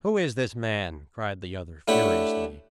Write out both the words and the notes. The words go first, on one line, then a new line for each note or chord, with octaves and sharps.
"Who is this man?" cried the other furiously.
A3 D4 E4 G4 C#5 F#5